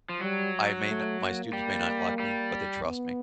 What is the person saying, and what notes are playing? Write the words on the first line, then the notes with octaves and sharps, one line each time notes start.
I may not my students may not like me, but they trust me.
F3
F#3 G3
A3
A#3
G3
G3
B3